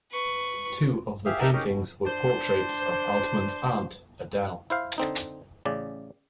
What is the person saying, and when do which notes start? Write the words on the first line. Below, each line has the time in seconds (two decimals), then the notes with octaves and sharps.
Two of the paintings were portraits of Altmann's aunt, Adele.
0.11 B4 C#6
1.26 G4 G#4 E5 F5
1.40 D#4 G4 A#4 E5 A5 A#5
1.53 C#4 D#4 G4 G#4 A#4
1.66 B2
2.06 D4 C5
4.70 E4 C5 F5
4.98 D3 C4 D#4
5.65 A1 C#3 D5